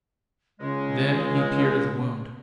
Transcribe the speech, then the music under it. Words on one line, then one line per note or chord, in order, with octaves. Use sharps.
Then he peered at the wound.
C#2 C#3 G#3